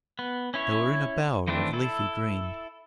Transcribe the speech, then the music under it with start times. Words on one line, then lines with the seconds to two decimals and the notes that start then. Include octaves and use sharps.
They were in a bower of leafy green.
0.19 B3
0.54 C#4 E4 C#5
1.48 D#3 E3 A3 C4 D4
1.73 E4 A4